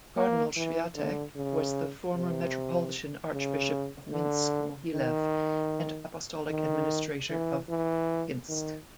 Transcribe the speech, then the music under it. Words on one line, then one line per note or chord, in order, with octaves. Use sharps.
Cardinal Swiatek was the former Metropolitan Archbishop of Minsk-Mohilev, and Apostolic Administrator of Pinsk.
A#3
E3
D3
C#3
C3
C#3
D3
D#3
D#3
E3
E3
D#3